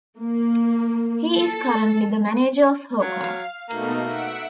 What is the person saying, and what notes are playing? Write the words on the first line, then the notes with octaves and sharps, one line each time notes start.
He is currently the manager of Haukar.
A#3
A4
F#3 F5
B2 A3 A#3 D#4
E5 F#5 D7